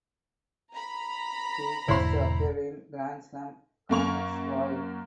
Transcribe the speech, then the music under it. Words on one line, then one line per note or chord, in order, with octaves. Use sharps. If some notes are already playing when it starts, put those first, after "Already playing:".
He first appeared in "Grand Slam Comics" Vol.
A#5 B5
E1 G#2 D3 E4 C5 C6
F#2 A#3 C#6 F7